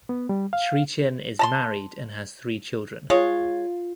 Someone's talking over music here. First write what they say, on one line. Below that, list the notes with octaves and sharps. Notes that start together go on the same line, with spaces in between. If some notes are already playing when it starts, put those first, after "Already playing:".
Chretien is married and has three children.
B3
G3
F5
A5 A#5 C6
G#3 F4 C#5